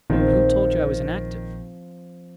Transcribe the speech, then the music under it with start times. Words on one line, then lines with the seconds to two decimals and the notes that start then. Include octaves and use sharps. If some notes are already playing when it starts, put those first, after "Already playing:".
"But who told you I was inactive?"
0.10 A#1 D#3 F3 C4